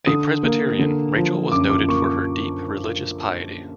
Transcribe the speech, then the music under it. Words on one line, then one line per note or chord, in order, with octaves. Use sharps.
A Presbyterian, Rachel was noted for her deep religious piety.
D3 D#6
A#3
D3
F3
F#2 D6
D6
A#3 C#6